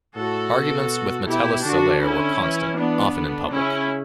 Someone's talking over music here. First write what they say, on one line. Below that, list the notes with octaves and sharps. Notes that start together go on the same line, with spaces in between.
Arguments with Metellus Celer were constant, often in public.
A2 F#4 A4
B2
B2 E4 G4
D3 D4 F#4
C#4 E4
E3
B3 D4
D3
C#3 C#4 E4